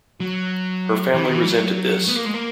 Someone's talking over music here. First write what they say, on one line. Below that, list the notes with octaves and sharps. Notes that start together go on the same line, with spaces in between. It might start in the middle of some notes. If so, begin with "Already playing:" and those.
Her family resented this.
F#3
E3
D#3
E3
F#3
B3
A#3
G#3
A#3